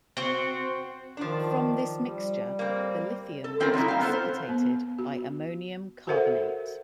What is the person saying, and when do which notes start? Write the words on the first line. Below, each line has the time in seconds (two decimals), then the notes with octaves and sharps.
From this mixture, the lithium was precipitated by ammonium carbonate.
0.17 C4 F#4
1.17 D#3 F3 D4
2.01 G3
2.59 A#3 C4
3.44 A4
3.60 E3 C4 C#4 F4 A#4
3.74 F#3 G3 D#4 E4
3.88 C4 F5
4.00 B3 F4 A4 C5
4.13 C5
4.49 B3
4.99 F#4
6.07 F#4 A4 A#4 C5 E5 F#5